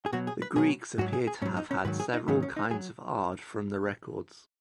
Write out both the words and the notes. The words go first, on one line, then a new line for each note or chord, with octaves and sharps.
The Greeks appear to have had several kinds of ard from the records.
G#4
B2 F#3 F#4
G#4
B4
B2 F#3 G#4
G#2 F#3 F#4
G#4
G#4
G#2 F#3 C#4
D#4
C#4
G#2 D#3 F#3 B4
G#4
D#4
G#2 D#3 F#3 B3
C#4
D#4
F#3 G#4